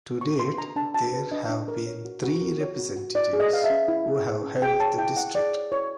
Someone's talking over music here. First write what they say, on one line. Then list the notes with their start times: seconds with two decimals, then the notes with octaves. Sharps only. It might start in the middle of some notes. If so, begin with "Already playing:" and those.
To date there have been three representatives who have held the district.
0.21 F#4 C#6
0.39 B4 C6
0.58 D4 A#5
0.76 D4 A5
0.94 F#4 A5
1.13 B4
1.32 D4 D#5
1.50 D4
1.68 A#4
1.86 C#5
2.05 F#4
2.24 F#4
2.41 A#4
2.60 C#5
2.79 F#4
2.96 F#4
3.15 E4 D5
3.33 G#4
3.40 D#5
3.52 B4 F5
3.64 E5
3.70 C#4
3.88 E4
4.07 G#4
4.25 B4
4.43 C#4
4.62 G#4 G5
4.80 C#5 A5
4.98 E4 G5
5.17 E4 F#5
5.35 G#4 D5
5.54 C#5
5.72 E4 C#5